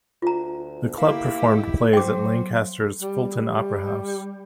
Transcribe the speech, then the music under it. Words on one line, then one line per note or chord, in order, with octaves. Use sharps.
The club performed plays at Lancaster's Fulton Opera House.
D2 F4 A#5
A#3 E4 G4
D#3
F#3 C5 G5 D6
G3